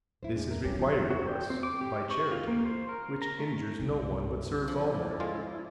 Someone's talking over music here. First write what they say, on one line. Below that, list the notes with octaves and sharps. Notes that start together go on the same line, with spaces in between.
This is required of us by charity, which injures no one, but serves all men.
E2 E4 C5
A2 G#3 D4
D4 A#4
F#2 G3 B3 C#4 G4
B2 F3
F#4
G5
C4
D6
G4
C#6
F4
A#3
C5
A#4
A#5
A3
C2 A3
F3 C#4 E4 D5
G#3 F4